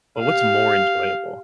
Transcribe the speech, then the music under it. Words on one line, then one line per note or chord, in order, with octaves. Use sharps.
but what's more enjoyable?
G4 F5